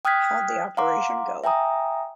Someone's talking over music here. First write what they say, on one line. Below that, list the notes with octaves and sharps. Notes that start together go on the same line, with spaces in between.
How'd the operation go?
G5 D#6 F6 F#6 G#6 B6
F5 F#5 A#5 C6 D6
E5 G5 G#5 A#5 D#6